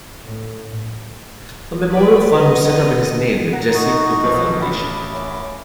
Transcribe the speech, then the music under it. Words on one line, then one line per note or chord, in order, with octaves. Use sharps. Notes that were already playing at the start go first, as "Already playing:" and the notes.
A memorial fund was set up in his name, the Jesse Cooper Foundation.
A2
B4 D5
D3 B3 D#5
F#5 A#5
A3 D#4 F#4 D#5
B1 B2 F3
A1 E4 B5 D6
F#2